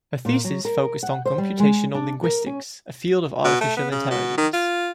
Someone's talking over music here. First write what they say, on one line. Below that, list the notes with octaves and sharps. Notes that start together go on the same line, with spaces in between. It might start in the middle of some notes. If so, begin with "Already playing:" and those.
Her thesis focused on computational linguistics, a field of artificial intelligence.
A#2
F#3
A#4
F#5
C5
G3
G#3
D4
A#4
C#4
B2
A3
B3
C#3
B2
D#3
F4